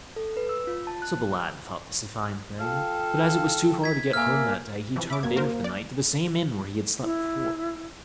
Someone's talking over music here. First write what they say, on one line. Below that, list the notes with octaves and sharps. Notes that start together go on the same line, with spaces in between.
So the lad thought this a fine thing; but as it was too far to get home that day, he turned in for the night to the same inn where he had slept before.
A4
B4
E6
F4
A5
F#6
F4 A4 F5 G5
G#6 B6
A#3 E5 G#5 F6
C3 E3 F3
E5 B5 D6
F#2 A#3 G#6
F#4 A#4 C5
D5
E4